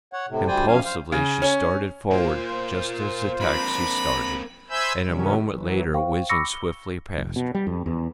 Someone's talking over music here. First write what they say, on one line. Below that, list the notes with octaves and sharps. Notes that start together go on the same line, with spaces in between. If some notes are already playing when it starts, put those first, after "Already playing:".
Impulsively she started forward, just as the taxi started and a moment later whizzed swiftly past her.
C#5 F#5
A2 C3
D2 G3 C5 D5 G5 G#5
F#2 F3 C#4 F5 G#5
C5 F5
C#3
C#4
A#2 A#3 F4 C5
A#3 C4 D4 A#5 B5
C5 E5 G#5 B5 E6 G6
C3 D#3 F#3 G3 C#4
E3 F#3
C5 F5 G5 C#6
B5 C#6 D6 E6 A#6 C#7
G7
F1
B2
G3
F2
E2